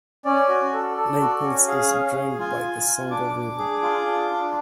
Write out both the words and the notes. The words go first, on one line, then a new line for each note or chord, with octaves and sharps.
Naples is drained by the Songo River.
C#4 D5
F#4
A4
A4
F#4
C#4
G#4 F5
C#4
G#4
F4 G#5
F4
F4
D4 D6
D4
G#4
F4
D4
D4